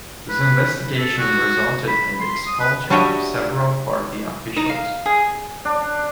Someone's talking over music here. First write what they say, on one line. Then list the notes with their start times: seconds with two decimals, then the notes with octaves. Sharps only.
This investigation resulted in the expulsion of several party officials.
0.29 B4
0.99 A4
1.18 F#4
1.88 B5
2.20 C6
2.47 D#6
2.60 B4
2.90 G3 D4 F#4 C#5 D#5 E5
4.56 D#4
4.70 F5
5.06 G#4
5.65 D4